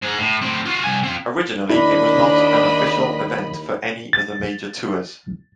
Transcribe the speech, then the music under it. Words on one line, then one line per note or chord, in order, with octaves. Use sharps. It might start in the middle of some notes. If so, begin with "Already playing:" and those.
Originally it was not an official event for any of the major tours.
G#2 G#4
A2
A2 C4
F4 F#4
C2 G#5
C4 F4
D#2 A#3 D4 E4 D#5 B5
A6